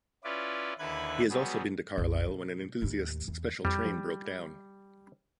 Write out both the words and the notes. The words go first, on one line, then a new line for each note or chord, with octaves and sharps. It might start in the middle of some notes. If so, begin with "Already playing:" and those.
He has also been to Carlisle when an enthusiasts' special train broke down.
C#4 E4 F4 B4 D5
D#2 D3 E4 B4 F#6 G#6
F#3 G3 B3 G#4
A#1 F2
B2
D#2 A2
E2
F2 G3
F3